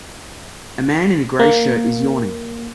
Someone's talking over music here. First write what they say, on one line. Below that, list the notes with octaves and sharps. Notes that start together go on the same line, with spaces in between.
A man in a gray shirt is yawning.
A#3